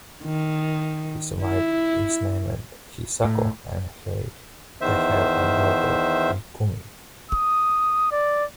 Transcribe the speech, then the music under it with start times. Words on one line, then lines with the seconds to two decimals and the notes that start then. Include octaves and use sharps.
His wife is named Hisako, and they have a daughter, Ikumi.
0.24 D#3
1.43 E4
3.25 A2
4.81 E2 D#3 C5 E5
7.32 D#6
8.12 D5